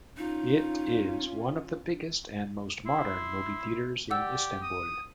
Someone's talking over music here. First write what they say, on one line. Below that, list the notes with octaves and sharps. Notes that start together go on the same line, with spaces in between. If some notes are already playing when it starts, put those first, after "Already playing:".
It is one of the biggest and most modern movie theatres in Istanbul.
C#4 D#4 F4
E4 C6
G4 D5 F#5 E6
D#6